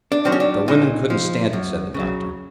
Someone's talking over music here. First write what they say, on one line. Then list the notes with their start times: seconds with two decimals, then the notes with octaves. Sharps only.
"The women couldn't stand it," said the Doctor.
0.12 D4
0.25 D#3 F#3 C4
0.32 C#4
0.40 D4
0.68 A#2 D#4
1.10 F3
1.53 F#2
1.94 C#3
1.99 F#3